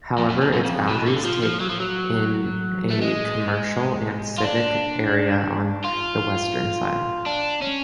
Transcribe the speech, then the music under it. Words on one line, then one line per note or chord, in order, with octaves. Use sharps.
However, its boundaries take in a commercial and civic area on the western side.
F2
F#2
F2
F#2
F2
B2
D3
F3
F3
F#3
F3
F#3
A3
G#3
F4
D4
F4
D4
C#4